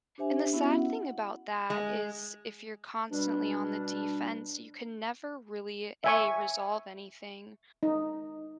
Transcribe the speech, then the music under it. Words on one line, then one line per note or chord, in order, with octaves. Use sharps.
and the sad thing about that is if you're constantly on the defense, you can never really, A, resolve anything,
D4 G4 C5 E5 G#5
B3 C#4 E4 F#4 E5
F#5
G#3
B2 G3 D4
E5 G#5 C#6
D#4